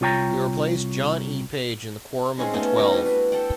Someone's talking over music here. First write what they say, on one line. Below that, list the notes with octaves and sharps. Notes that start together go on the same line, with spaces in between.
He replaced John E. Page in the Quorum of the Twelve.
C2 F4 C#5 G5 A#5
G#3 C4 C#4 D#4
A3 B3 C#4 D#4
G3 D#4 F#4
E4 B4
D4
A4 F#5 G5